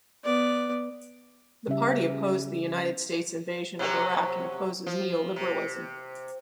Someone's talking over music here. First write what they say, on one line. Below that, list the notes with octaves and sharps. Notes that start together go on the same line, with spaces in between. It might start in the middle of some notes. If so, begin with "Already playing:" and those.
The party opposed the United States invasion of Iraq and opposes neoliberalism.
B3 D5
C#3 G3 C#4 G4 E5
C3 F#3 C#4
F3
C3